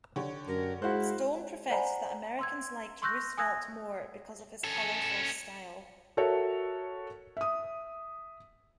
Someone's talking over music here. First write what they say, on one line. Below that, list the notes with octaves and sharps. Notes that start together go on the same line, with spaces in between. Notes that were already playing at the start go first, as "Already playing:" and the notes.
Stone professed that Americans liked Roosevelt more because of his colorful style.
D3 G4 C#5
F#2 A#4
G#3 E4 F#4 C5 F5 F#6
C5 D5 F#5 G#5 A#5 B5
C6 E6 G#6
C6 C#6 E6 F#6 G6 A#6
G#5 D#6 E6 F#6 G#6 A#6
C#4 A4
F#4 A4 A#4 C#5 E5
E5 D#6